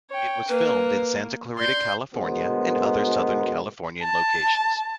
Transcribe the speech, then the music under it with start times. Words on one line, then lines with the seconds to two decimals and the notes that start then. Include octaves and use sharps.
It was filmed in Santa Clarita, California, and other Southern Californian locations.
0.10 C#5 G5
0.49 A#3 B4
1.58 D5 C6 G6
2.14 D2 B2 G#3 B3 A#4 C5
4.03 A5